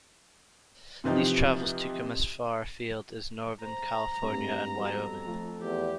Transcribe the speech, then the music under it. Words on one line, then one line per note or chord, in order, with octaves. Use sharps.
These travels took him as far afield as Northern California and Wyoming.
C3 E3 F3 D#4 G4
C5 A#5
G2 G3 A3 C4
F2 G3 B3 F#4 A4
F3 A3 F4
E2 G4